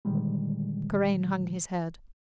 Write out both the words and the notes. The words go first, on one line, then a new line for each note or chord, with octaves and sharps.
Karain hung his head.
A#2 D3 D#3 G3 G#3